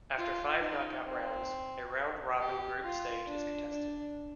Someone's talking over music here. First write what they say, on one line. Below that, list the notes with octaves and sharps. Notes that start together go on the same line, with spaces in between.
After five knockout rounds, a round-robin group stage is contested.
F4
D#4
C4
G4
F4
D4
D4